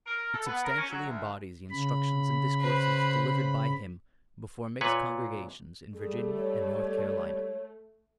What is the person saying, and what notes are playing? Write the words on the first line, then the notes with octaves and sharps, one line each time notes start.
It substantially embodies the instructions and discourses delivered by him before mixed congregations in Virginia and North Carolina.
A#4
A4
B3
A#4
C#4
F#3
D2
C#3 B5
B4 C5
A#2 B4 C#5
G3 A3 G#4
C#5